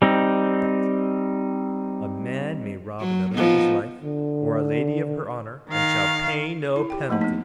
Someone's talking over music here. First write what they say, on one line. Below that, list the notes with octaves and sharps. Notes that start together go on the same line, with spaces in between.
But a man may rob another of his life, or a lady of her honor, and shall pay no penalty!
G3 C4 D#4
F#3
F3 B3 D#4
D3
D#3 F5
E4
G4 G5
F3 A3 A#3 D#4
B3 D#4